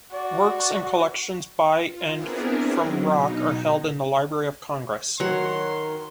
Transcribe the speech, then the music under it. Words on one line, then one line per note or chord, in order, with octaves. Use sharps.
Works and collections by and from Rock are held in the Library of Congress.
F#4 D5
F4
B3 C4 D4 E4 G#4 A#4
F#3
B2 D#4
D#3 F#3 C#5 F#5 C6